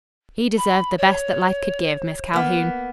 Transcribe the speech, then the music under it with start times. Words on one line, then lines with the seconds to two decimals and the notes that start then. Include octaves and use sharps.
"He deserved the best that life could give, Miss Calhoun."
0.57 B5
0.98 C#5
2.33 A#3 B3